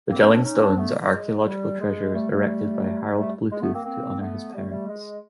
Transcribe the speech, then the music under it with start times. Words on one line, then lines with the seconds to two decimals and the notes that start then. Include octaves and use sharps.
The Jelling stones are archaeological treasures erected by Harald Bluetooth to honour his parents.
0.09 A#3 C4
0.20 B3 C#4
0.31 C4 D4
0.43 C#4 D#4
0.59 C4 D4
0.76 A3 B3
1.12 G#3
1.46 G3
1.79 G#3
2.14 G3 A3
2.30 G3 A3
3.17 G3 A3
3.50 G#3
3.62 A3 B3
3.73 A#3 C4
3.85 A#3 C4
4.19 A3 B3
4.54 G3 A3
4.70 G3 A3
4.87 G#3